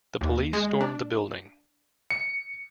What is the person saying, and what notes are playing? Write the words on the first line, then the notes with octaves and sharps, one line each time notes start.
The police storm the building.
D#2
G#3
D4
C#7